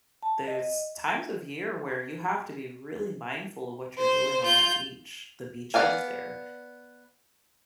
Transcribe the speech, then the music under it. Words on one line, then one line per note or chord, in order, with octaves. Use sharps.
there's times of year where you have to be really mindful of what you're doing on that beach the beaches there,
A5
D#5
C5
F4 G6
B3 D5 F5 G#5